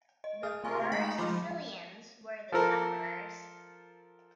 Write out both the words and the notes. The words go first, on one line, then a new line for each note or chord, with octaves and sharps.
The poorer Sicilians were the sufferers.
D#5
G#4 F6
C3 A3 F4 A#4 G#5 C#6
G#3 D#4 B5
F3 G#3 F4 B5 D6 F6
F3 A4 A#4